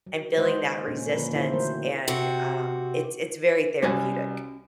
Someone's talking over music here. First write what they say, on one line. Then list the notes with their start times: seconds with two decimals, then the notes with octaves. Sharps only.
and feeling that resistance, and, um, it's it's very therapeutic.
0.07 F#3
0.37 D#3 G#3 C5 D#5 F#5
0.88 A#2 C#4 G#4
1.10 D3 F3 A#3 D4 A#4 B4
1.32 D3 D#3 D4 E4 C5
1.52 E3 F#3 A3 C4 A#4 C5
2.08 C3 F#4
3.82 C2 C#4 F#4 G#5